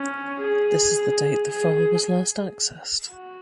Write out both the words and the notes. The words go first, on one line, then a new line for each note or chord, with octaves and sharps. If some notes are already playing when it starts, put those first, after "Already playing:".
This is the date the file was last accessed.
Already playing: C#4
G#4
G#4
F#4